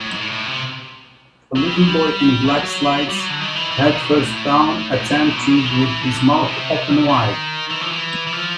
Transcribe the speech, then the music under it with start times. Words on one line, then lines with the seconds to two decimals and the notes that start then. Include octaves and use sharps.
A little boy in black slides headfirst down a tan tube with his mouth open wide.
0.01 A2
0.11 G#2
0.18 A2
0.32 A2
0.48 C3
1.56 F#3
1.65 G3
1.75 G#3
1.87 G3
2.44 F3
2.47 F#3
2.63 F#3
3.09 G3
3.20 F#3
3.30 D3
3.40 D#3
3.55 E3
3.71 E3
3.81 D#3
3.92 D#3
4.01 B2
4.13 G#2
4.17 A2
4.94 G#2
5.10 A2
5.25 A#2
5.36 B2
5.46 C#3
5.56 D#3
5.66 F3
5.71 E3
5.86 E3
6.02 D3
6.17 C3
6.33 B2
6.48 C3
7.10 D#3
7.71 E3
7.81 F3
7.92 E3
8.27 E3
8.32 F3